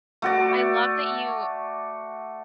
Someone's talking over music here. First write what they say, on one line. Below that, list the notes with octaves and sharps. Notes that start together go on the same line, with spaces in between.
I love that you
A3 F#4 D5